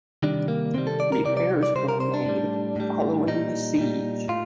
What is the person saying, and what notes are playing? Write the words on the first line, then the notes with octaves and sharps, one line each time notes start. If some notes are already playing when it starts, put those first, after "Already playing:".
Repairs were made following the siege.
C3 D#3 G3 D4
A#3
C3 D#3 G3 C4
A4
D5
A#4
C3 G3 D5
D5
D5
C3 G3 C5
A#4
C5
D4
A2 G3
A2 G3
A#2 G3 D#4
A#2 G3
A2 F4